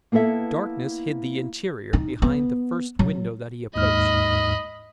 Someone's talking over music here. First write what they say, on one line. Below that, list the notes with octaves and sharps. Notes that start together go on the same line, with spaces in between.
Darkness hid the interior behind the first window that he approached.
A#3 B3 E4 A4 E5
D#4
B3
F#3
D#2 G#2 D#5 B5 F6